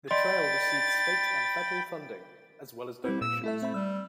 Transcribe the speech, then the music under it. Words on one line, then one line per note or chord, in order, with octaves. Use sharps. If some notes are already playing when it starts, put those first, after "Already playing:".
The trail receives state and federal funding as well as donations.
D5 D#5 G5 B5 C6 A6
G3 C4 E4
A#2 E6
A3 E4 A4 E5
C4 E5 B5
G3 E6